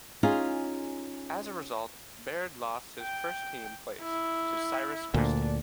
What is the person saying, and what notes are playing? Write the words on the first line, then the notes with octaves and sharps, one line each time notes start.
As a result, Baird lost his first team place to Cyrus Christie.
C#4 D#4 F4 G#4
G5
E4
D2 A#2 D4